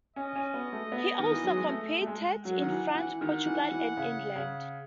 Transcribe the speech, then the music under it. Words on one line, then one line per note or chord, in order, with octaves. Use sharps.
He also competed in France, Portugal and England.
C#4 D#5
C#4
B3
A3
B3
D#3
E3
F#3
G#3
A3
A3
G#3
F#3 F#5
D#3
E3
E3
D#3 F#5
E3
E3
C#3
C#3